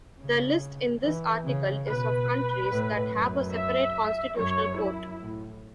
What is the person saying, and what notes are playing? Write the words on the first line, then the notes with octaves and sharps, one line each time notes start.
The list in this article is of countries that have a separate constitutional court.
C#3
E3
C#3
B2 B4
A2
F#2
E5
F#2 C#5
F#2 E4
A2